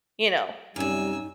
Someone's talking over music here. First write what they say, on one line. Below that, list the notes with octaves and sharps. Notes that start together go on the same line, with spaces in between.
You know?
F#2 C3 G3 D#4 G#5 E6